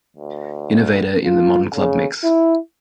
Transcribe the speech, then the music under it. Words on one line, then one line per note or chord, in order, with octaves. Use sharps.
Innovator in the modern club mix.
D2
F4
C#3
E4